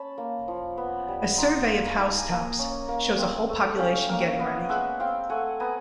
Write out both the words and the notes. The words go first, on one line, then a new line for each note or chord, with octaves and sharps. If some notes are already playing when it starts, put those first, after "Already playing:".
A survey of housetops... shows a whole population getting ready.
Already playing: C#4 A5 B5
A#3
F3
B3
G3
D#4 A#5 C6
A#3
D#4 A5 B5
G#5 A#5
A#3
C#4
A#3
C4
A3
C#4 F5 G5
A#3 F5 G5
B3 D#5 F5
G#3 E5 F#5
C4 F5 G5
A3 F#5 G#5
B3 G#5 A#5